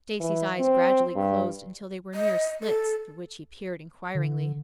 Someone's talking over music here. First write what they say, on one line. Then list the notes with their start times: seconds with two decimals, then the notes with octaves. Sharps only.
Stacy's eyes gradually closed until they were mere slits, through which he peered inquiringly.
0.20 E3
0.60 C4
1.16 G2
2.15 D#5
2.63 A4
4.15 D3